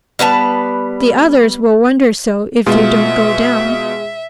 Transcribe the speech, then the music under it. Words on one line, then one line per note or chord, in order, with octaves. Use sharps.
The others will wonder so if you don't go down.
G3 B3 B4 A5
B2 G#3 F4 E5